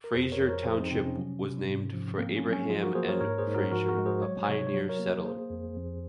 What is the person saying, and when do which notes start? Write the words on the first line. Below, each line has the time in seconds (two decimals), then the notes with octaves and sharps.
Fraser Township was named for Abraham N. Fraser, a pioneer settler.
0.04 A#4
0.14 F2 G#4 C5
0.32 A#4 C#5
0.41 F2
0.48 A#4 C#5
0.65 F3 G#4 C5
0.78 C4 D#4
0.91 C3 C4
1.05 C#4
1.16 F#3
1.43 C3
1.68 G#2
1.93 F3
2.18 A#3 C4
2.36 C#4
2.44 F#3
2.52 C#4
2.70 F3 F4 G#4
2.83 F#4 A#4
2.95 A#3 G#4 C5
3.08 A#4 C#5
3.21 G#2 A#4 C#5
3.38 G#4 C5
3.47 G#2
3.54 F#4 A#4
3.71 F3 F#4 A#4
3.88 F#4 A#4
3.98 G#3
4.06 G#4 C5
4.22 F#3 C#5
4.44 C3 C#5
4.67 C#5
4.74 F#3
4.89 A#4 C#5
4.99 A#3
5.25 A#3 G#4 C5
5.50 F2
5.76 F2